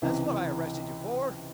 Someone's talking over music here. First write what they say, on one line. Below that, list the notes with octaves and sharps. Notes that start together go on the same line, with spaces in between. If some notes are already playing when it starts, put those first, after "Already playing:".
"That's what I arrested you for."
C#2 C3 E3